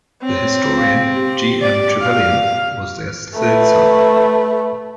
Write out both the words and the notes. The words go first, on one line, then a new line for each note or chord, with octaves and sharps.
The historian G. M. Trevelyan was their third son.
C4 C#5
F5
G4
D5
F5
A3 B4